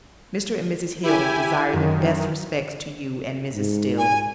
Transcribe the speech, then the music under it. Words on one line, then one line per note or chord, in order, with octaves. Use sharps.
Mr. and Mrs. Hill desire their best respects to you and Mrs. Still.
E4 G4 G#5
F#2 D#3
G#2
G#5